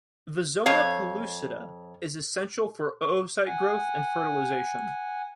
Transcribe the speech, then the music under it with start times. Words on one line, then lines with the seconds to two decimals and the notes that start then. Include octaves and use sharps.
The zona pellucida is essential for oocyte growth and fertilization.
0.66 F2 C#5 F5
3.47 F#5 G#5